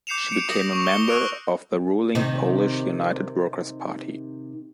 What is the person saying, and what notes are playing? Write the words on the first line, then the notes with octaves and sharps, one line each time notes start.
She became a member of the ruling Polish United Workers' Party.
D6 G6 C7 C#7 E7 F7
C#7 D7 E7
D6 D#6 A#6 F7 F#7
C#6 F7
C#7 G7
C#6 E6 F#6 D7 F7
C3 D#3 D#4